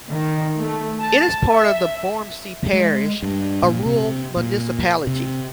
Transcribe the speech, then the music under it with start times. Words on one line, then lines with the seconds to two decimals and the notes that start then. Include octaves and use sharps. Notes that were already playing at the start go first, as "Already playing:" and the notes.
It is part of Vormsi Parish, a rural municipality.
0.11 D#3
0.59 A3
1.01 A5
1.52 E5
2.73 G#3
3.23 G2
3.63 A#2
3.86 C3
4.37 A#2
5.07 C3